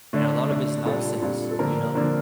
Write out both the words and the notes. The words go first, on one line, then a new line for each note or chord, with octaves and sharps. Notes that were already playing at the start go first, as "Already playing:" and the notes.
And a lot of it is nonsense, you know?
D3 A3 D4
D3 A3 D4
A#2 G3 D4 A4
A#2 G3 D4
A4
D3 F3 A#3 D4 A#4
D3 F3 A#3 D4